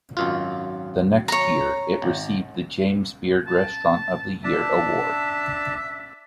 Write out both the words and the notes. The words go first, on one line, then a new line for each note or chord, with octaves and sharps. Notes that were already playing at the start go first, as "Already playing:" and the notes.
The next year it received the James Beard Restaurant of the Year Award.
G#1 F#2 F4
C#5 A#5
G#1
A5
D4 E5 A5